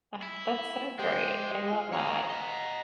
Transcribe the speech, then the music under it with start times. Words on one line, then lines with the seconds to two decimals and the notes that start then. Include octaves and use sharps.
Ah, that's so great. I love that.
0.22 E4
0.99 G#3 G4 C5 G5
1.72 F4
1.93 C#5 F5 A#5
2.29 D#5 F#5